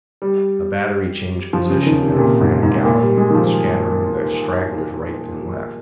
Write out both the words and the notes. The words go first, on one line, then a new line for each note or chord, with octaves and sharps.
A battery changing position at a frantic gallop scattered the stragglers right and left.
G3
F3
C#3
C#3
D#3
C3
C3
A#2
G#2
G#2
A#2
G3
G#3
D#3
F3